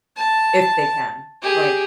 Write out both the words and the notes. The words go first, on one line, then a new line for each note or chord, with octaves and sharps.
if they can, like,
A5
G4 G#4